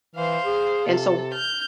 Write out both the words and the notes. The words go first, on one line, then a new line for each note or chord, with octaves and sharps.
And, so
E3 C5 F5
G#4
C3 A4
F6 G6